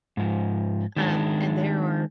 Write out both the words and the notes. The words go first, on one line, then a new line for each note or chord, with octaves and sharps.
um, and there are
G#2 F3
D#3 G#3 D4